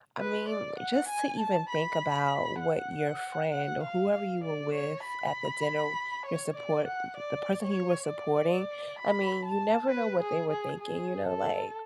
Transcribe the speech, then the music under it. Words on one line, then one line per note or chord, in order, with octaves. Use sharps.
I mean, just to even think about what your friend or whoever you were with at the dinner, your support th th the person who you were supporting I mean, you never know what they were thinking, you know? Like
B4
D5
F#5
G#5
A5
B5
F#5
F#5
F5
F5
D5
C#5
B5
C#5
D5
F#5
D5
C#5
D5
B5
A5
B4
G#4
G#4
G#4
A4